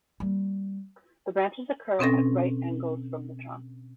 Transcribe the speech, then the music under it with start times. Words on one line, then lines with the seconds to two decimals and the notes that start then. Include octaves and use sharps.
The branches occur at right angles from the trunk.
0.20 G3 A#3
1.99 B2 C4 C#4 A4 A#6